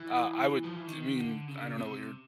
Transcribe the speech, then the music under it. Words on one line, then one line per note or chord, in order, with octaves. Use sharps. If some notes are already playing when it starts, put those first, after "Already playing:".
Uh, I would I mean, I don't know what your
Already playing: E3
F3
E3
D#3
D3
C#3
C3